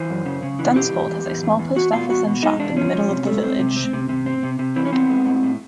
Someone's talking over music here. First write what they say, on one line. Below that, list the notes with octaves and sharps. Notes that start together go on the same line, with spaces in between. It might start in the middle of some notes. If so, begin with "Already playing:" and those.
Dunsfold has a small Post Office and shop in the middle of the village.
Already playing: E3 C5
F#2
C#3
C#3
E3
B2 G4
E2
E2
E2
E2
E2
E2 F#4
B2 F4
E2 F#4
B2
G#3 D#4
E2 D4
F3 C#4
F3
C3
A3
C4
C3
C4
C3
C3
C4
C3
C3
E3 C4
C#4
B3 C4
G#3
A2
A2